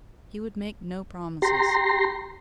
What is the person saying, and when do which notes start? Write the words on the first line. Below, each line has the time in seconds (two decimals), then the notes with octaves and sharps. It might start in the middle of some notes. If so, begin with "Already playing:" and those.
He would make no promises.
1.42 G4 A#5 C6